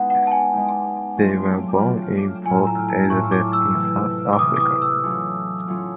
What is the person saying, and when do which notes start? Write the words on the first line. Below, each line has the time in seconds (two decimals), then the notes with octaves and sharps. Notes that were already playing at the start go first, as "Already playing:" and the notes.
They were born in Port Elizabeth in South Africa.
Already playing: G#3 B3 D#4 F#5
0.10 F#5
0.27 A5
0.31 G#5
0.53 G#3 B3 D#4
1.17 F#3 A3 D4 F4
1.82 F#3 A3 D4 F4
2.46 A2 F#3 A3 C#4 F4 G#5
2.67 A#5
2.89 A5
3.10 A2 F#3 A3 C#4 F4 C#6
3.32 D6
3.53 E6
3.74 C3 E3 A3
4.33 D6
4.39 C3 E3 A3 D#6
4.56 D6
4.60 D#6
4.82 E6
5.03 F#3 A3 C#4 F4
5.68 F#3 A3 C#4 F4